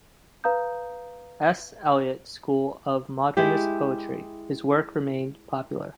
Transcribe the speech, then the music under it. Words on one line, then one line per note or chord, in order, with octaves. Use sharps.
S. Eliot school of Modernist poetry; his work remained popular.
B4 F5 A#5 D#6 G6
G#3 E4 G4